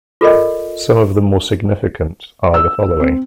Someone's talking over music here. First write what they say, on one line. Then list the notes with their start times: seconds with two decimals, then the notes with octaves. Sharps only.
Some of the more significant are the following.
0.21 F4 A4 A#4 D5 D#5
2.54 E6
3.00 C4